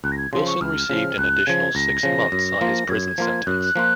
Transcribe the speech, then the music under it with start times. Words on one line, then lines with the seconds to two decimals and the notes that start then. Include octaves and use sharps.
Wilson received an additional six months on his prison sentence.
0.04 C#2 F#6
0.12 A#6
0.17 G#6
0.32 C#3 F3 C6
0.47 C#6
0.61 C#2 F6
0.90 C#3 F3
1.18 C#2 F#6
1.46 C#3 F3 G#6
1.75 C#2 A#6
2.03 C#3 F3
2.32 F#2
2.61 F3 A#3 F4
2.89 F#2 G#6
3.18 F3 A#3 F4
3.46 F#2 F#6
3.76 F3 A#3 F4